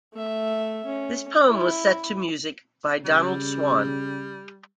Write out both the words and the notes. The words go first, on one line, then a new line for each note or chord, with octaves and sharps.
This poem was set to music by Donald Swann.
A3 E5
C#4
E4
C#3 G3